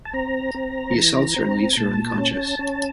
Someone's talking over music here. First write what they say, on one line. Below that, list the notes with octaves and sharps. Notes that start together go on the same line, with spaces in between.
He assaults her and leaves her unconscious.
A5
C4 A#5
C4
E3
C4
A#5
A#2 A5
C#4
C#4